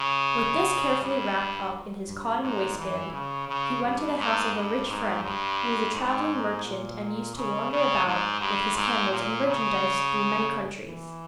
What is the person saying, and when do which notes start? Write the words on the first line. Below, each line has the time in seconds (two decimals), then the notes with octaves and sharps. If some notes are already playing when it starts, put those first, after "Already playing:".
With this carefully wrapped up in his cotton waistband he went to the house of a rich friend, who was a travelling merchant, and used to wander about with his camels and merchandise through many countries.
Already playing: C#3
1.02 G2
2.08 G2
2.43 G#2
2.78 E3
3.13 C#3
3.48 C#3
3.84 G2
4.19 G#2
4.54 G2
4.89 G#2
5.24 G2
5.95 G#2
6.65 A#2
7.36 C#3
7.71 C#3
8.06 G#2
8.41 G2
8.76 G#2
9.12 A#2
9.48 C#3
10.88 E3